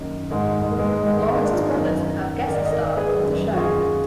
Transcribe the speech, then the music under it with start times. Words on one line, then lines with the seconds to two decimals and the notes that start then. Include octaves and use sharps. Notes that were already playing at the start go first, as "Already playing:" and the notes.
Lawrence's brothers have guest starred on the show.
Already playing: F#2 D#3 A#3
0.31 G#2 D#3 G#3
0.62 G#3
0.71 A#3
0.78 G#3 B3
1.02 G#2 D#3 G#3
1.17 G#3
1.21 A#3
1.39 A#3 D4
1.52 F4
1.57 B3 D#4
1.75 F#2 D#3
2.47 G#2 D#3 A#4 D5
2.65 D#5
2.72 A#4 D5
2.97 G#4 B4
3.21 F#2 D#3
3.53 F#4
3.57 F4 G#4